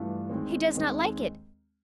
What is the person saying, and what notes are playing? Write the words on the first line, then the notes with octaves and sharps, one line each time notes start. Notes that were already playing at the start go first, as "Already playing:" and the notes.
He does not like it!
Already playing: G2 E3 A3 D4 F4
D#2 D#3 G#3 C4
D#2 D#3 G#3 C4